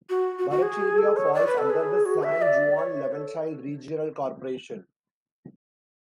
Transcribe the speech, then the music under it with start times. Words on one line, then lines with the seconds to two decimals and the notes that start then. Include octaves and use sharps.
Barataria falls under the San Juan-Laventille Regional Corporation.
0.09 F#4
0.38 F#4
0.50 F#4
0.62 G#4
0.98 A4
1.16 C#5
1.34 D5
1.46 B4
1.58 A4
1.70 G#4
2.05 F#4
2.23 E5
2.42 D5
2.77 C#5
3.12 A4